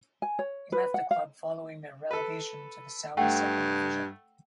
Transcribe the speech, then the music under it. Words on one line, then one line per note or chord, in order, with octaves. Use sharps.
He left the club following their relegation to the Saudi Second Division.
G#5
C#5
B4
F#5
F5
A4 B4
G2 A3 F#5 G5